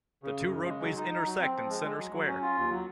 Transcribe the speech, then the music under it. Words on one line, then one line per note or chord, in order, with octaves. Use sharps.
The two roadways intersect in Center Square.
C#3
F#2
C#3
G#3
F#3
D#4
D#4
F#3
C4
F3
G#3
G#3
F#3
F#3
C#4
F4
D#2
F#3